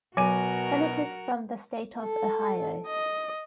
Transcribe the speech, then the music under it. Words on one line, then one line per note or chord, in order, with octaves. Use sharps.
Senators from the state of Ohio.
B2 F#3 F#4 A#4 G#5 D#7
A4
D#5